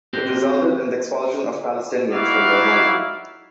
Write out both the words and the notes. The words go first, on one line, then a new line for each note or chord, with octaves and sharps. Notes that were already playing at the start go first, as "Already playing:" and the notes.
It resulted in the expulsion of Palestinians from their homeland.
C4 F#4 G4 C5
D#4 E4 F#4 D5 E5 F5